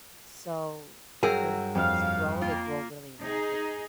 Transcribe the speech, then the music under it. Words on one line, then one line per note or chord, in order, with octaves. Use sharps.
so when things grow, they grow really rapidly.
G2 F#3 G#4 A#4 G5 E6
F2 F5
A#3 F4
D#4 G#4